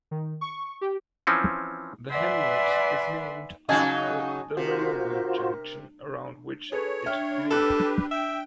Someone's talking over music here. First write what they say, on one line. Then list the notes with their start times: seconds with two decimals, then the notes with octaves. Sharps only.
The hamlet is named after the railway junction around which it grew.
0.11 D#3
0.41 C#6
0.81 G4
1.27 E3 F3 C4 C#4
2.10 B4 D5 E5 F#5 G#5 C6
3.69 C#3 F#3 D#4 D#5 F5 G#5 A5
4.57 C3 F4 F#4 A#4 C5
6.72 G#4 A4 B4 C#5
7.06 D4 E5 G5 F6
7.50 G4 A4 B4 E6 F#6
8.11 E5 G5